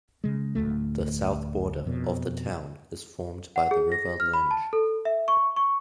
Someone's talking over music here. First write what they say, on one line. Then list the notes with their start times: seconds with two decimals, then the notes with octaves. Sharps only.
The south border of the town is formed by the river Linge.
0.24 C#3 G#3
0.55 D1 G1 D2 A3
1.85 F2 B2
3.56 F#5
3.71 G#4
3.92 A#6
4.20 F6
4.34 B5
4.51 A5
4.73 A4
5.05 E5
5.28 C#6
5.56 C#6